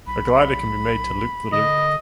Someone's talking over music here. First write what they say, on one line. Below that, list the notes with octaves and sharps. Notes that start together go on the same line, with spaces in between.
A glider can be made to loop the loop.
B1 B5
D3 D#5